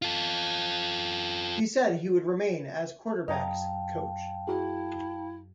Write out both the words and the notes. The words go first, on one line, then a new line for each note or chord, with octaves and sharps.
He said he would remain as quarterbacks coach.
F4 A4
F#2 D#5 F5 G5 A5 A#5
E4 F#4 G#4